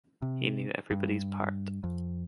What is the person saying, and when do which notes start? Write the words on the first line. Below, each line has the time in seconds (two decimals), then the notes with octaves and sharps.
He knew everybody's part.
0.22 C3
0.91 G2
1.84 F2